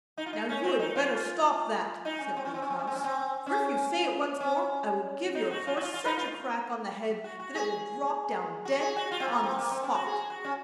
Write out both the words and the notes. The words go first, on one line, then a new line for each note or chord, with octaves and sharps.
'Now you had better stop that,' said Big Klaus, 'for if you say it once more I will give your horse such a crack on the head that it will drop down dead on the spot!'
D#4
F4
D#4
C#4
C4
D#4
F4
D#4
C#4
C4
C#4
C4
C#4
C4
C#4
C4
C#4
C4
C#4
C#4
D#4
F#4
F4
F#4
F4
F4
D#4
F4
F#4
F#4
G#4
F#4
G#4
F#4
F4
C4
A#3
C4
A#3
C4
C#4
F#4
G#4
F#4
C#4